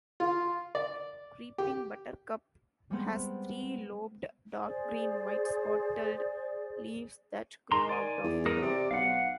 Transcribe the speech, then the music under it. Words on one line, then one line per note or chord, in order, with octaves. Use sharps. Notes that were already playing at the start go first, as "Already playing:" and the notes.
Creeping buttercup has three-lobed dark green, white-spotted leaves that grow out of the node.
F4
D5
G4
G3 G#3 B3 C4
G#4 C5 D5
D#3 A#5 C6
D5 G#5
E2
D#4 A#4 D#6
C3 D5
B1 F5 F#5